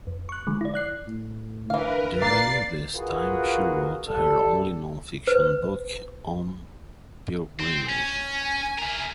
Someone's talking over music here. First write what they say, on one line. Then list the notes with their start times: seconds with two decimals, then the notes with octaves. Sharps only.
During this time she wrote her only non-fiction book, "On Pilgrimage".
0.07 F2
0.29 C#6 F#6
0.47 D3 F3 G#3
0.61 E4 D5
0.74 D5 F#6 C7
1.07 A2
1.70 D3 E3 A#4 B4 F5
2.22 A#1 A#3 D5 A6 C7
2.95 E3 F4 F#4 G#4 A#4 B4
4.08 G3 A4
5.27 B4 C5
7.60 C4
7.89 C#4 G#5
8.79 E4 A#4